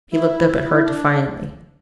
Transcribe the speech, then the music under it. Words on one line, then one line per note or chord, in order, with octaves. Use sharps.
He looked up at her defyingly.
E4
E4
D4